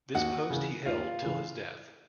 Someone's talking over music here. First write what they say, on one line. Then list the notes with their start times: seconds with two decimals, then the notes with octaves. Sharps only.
This post he held till his death.
0.15 D#2 F#4 F#5
0.50 C#3 E3
0.85 D#2 F4 F5
1.22 C#3 E3